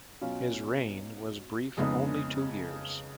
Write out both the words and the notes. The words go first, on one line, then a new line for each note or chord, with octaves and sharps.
His reign was brief-only two years.
B2 F#3 C#4 F4
F2 C#3 G#3 B3 D#4